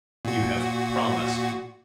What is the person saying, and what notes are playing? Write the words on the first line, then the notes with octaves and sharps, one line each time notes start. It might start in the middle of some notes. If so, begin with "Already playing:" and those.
"You have promised!"
A#2 F#4